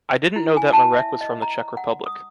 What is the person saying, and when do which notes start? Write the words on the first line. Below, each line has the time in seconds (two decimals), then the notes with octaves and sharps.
I didn't know that Marek was from the Czech Republic.
0.36 E4
0.57 G#5
0.73 A5
0.93 E5
1.21 D#5
1.42 A#5
1.77 F#5
2.06 D#6